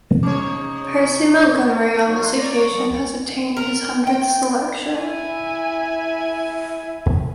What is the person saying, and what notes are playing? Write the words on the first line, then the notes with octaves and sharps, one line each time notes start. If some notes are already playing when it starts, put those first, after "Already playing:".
Percy Montgomery, on this occasion, has obtained his hundredth selection.
C3 C#4 D#4 C#5 C#6 D6
F3 F#3 D#4 C#6
C6 F#6
C#5 D5 A#5
C#6
F3 G3
A#4
G5
E4 G#5